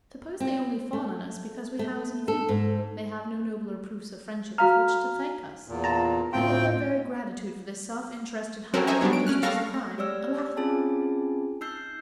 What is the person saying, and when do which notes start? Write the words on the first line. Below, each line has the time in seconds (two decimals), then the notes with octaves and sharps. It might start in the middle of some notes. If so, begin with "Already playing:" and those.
Suppose they only fawn on us because we house and feed them, they have no nobler proofs of friendship with which to thank us; and if their very gratitude for this self-interested hire be adduced as a crime, alas!
0.40 C4
0.93 A3
1.79 A3
2.28 A4
2.48 G#2
4.58 F#4 F5 A#5 F6
5.68 E2 A#2
5.84 F4 A5 A#5
6.33 D2 A2 C4 F4 G5
8.74 F#3 C4 C#4 F#4 A4 A#4
8.87 C5 D#5 E5 G#5 A#5 C#6
9.01 F#3 G3 B3 D4 C#5
9.13 D7
9.27 C#4 F6 F#6
9.43 G3 A4 F5 C#6 F6 A#6
9.74 A3 A#6
9.98 G4 C#5 D5 E6 F6
10.57 C4 C#4 F4 G#4 G#5 A5
11.61 D#4 E6 G6 C7